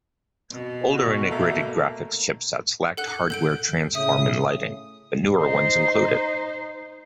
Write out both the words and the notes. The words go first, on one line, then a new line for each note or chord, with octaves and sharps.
Older integrated graphics chipsets lacked hardware transform and lighting, but newer ones include it.
B2
F#4
A3 A#3
A4 F#5 F#6
A4 G6 D7
A2 C#3 E5 D#6
D#4 C5